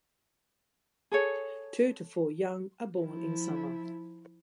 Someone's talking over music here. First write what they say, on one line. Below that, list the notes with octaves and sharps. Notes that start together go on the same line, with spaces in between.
Two to four young are born in summer.
G#4 A4 C#5
F3 E4